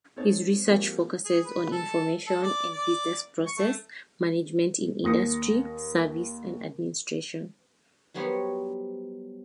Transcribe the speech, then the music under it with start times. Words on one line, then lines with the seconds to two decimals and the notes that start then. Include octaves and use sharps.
His research focuses on information and business process management in industry, services and administration.
0.16 C4 D#4 A4 C#5 A6
0.67 F3 A#3 C4 F#4 G4 A4
1.25 G#4
1.45 B4
1.72 A4
2.27 A4
2.43 D5
2.72 D5
3.46 C#6
3.58 A3
5.04 D#2 D#6 A#6 C#7
8.14 F#3 G3 B3 C5 C#5